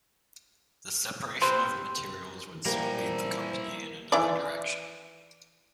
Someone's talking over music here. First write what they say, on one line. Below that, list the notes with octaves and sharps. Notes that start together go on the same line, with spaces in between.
The separation of materials would soon lead the company in another direction.
G3 C4 B4 C5
A#2 E3 F3 G3 A#3 E4 A#5
E3 D5